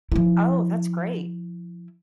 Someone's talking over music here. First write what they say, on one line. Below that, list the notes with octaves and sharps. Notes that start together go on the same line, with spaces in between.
Oh, that's great.
F3 E4